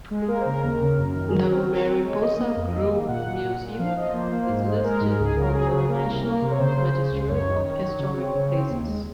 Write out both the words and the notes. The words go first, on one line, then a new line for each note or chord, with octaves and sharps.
The Mariposa Grove Museum is listed on the National Register of Historic Places.
G#3
G#4
A#3 A#4
C5
C#3 A#4
D#2
C#3
F#2
D#3
G#4
F#3 A#4
C4
C4
C4
G#3 C#5
D#3 D#5
A#3
F2
D#3
A#3
A#2 F#5
A#2
A#2
A#2
F3 F5
F3 D#5
A#3 C5
A#3
G#2
G#3
C5
G#3 A#4
G#2
A#4
C#2 G#4
C#3 A#4
F#3 G#4
C#3 G#4
A#3 A#4
C2
A#3
C3
C#5
C#3 C5
C#3
C#3
C#2
F#2 C#5
D#3
D#3
F#3
C#3
C4
C#3
C4
D#2
G#3